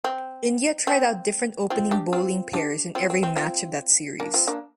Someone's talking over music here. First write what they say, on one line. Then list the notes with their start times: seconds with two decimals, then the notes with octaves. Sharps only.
India tried out different opening bowling pairs in every match of that series.
0.04 C4
0.87 C4
1.70 C4 F4
1.91 D4 G4
2.13 C4 F4
2.53 D4 G4
2.95 C4 F4
3.10 C4
3.23 C4
3.36 C4 F4
4.20 A#3 D4
4.34 C4 F4
4.47 A#3 D4